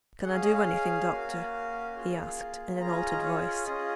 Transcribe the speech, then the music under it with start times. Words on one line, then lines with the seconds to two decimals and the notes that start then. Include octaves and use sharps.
'Can I do anything, Doctor?' he asked, in an altered voice.
0.23 C#4 G#4 F#5
0.33 F5
0.43 D#5
0.54 F5
1.09 A#3 C#4 F#4
1.96 A#3 F4 G#4
2.80 C#4 F4 G#4 A#5
3.13 D#5
3.24 C#5
3.66 C#4 F4 G#4 D#5